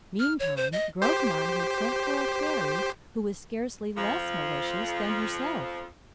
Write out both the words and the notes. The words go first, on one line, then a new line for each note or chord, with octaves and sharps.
Meantime, Grognon had sent for a fairy, who was scarcely less malicious than herself.
F6
C#5
C5
D#5
G4 C5
F2 F3